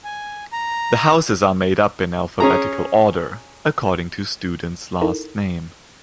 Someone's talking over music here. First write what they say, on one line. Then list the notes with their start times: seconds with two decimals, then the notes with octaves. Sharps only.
The houses are made up in alphabetical order, according to students last name.
0.04 G#5
0.53 A#5
2.40 C#4 G#4 A#5
5.01 D#4 E4 A4 A#4